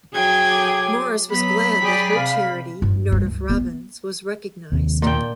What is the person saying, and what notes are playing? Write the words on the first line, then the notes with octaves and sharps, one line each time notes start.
Morris was glad that her charity, Nordoff-Robbins was recognised.
F#3 G#4 G5 G#6
A4 C#5 D6
F#3 B3 B5 B6
G4 G#4 D5
C3 F5
G2
G2
C#2
B3
D#2 C3
A#2 D4 G5